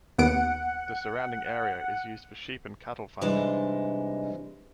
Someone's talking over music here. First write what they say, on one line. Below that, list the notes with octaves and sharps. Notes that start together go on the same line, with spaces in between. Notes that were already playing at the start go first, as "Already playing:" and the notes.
The surrounding area is used for sheep and cattle farming.
D#2 B3 F#5 D7
C3 E3 G3 G#3 D4 D#4